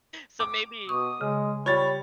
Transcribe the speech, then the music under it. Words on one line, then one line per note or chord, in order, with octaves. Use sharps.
So, maybe
D6
B2 C#6 D#6
C#3 G#3
G3 F4 C#5 B5 A6